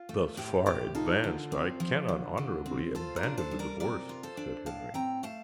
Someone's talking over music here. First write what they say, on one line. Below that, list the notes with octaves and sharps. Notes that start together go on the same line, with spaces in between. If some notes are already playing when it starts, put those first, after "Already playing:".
"Thus far advanced, I cannot honourably abandon the divorce," said Henry.
Already playing: F4
A3
A2 G4
A2 G4
D#4 F4 A4
D3
C4
F3
D3
D3
C4
F4 A4 C5
A#4 D5
D4
A4 C5
G3
A#4 D5
C3 A#4 D5
F4
A4 C5
D4
A2 F5 A5
C4 G5 A#5
A3 F5 A5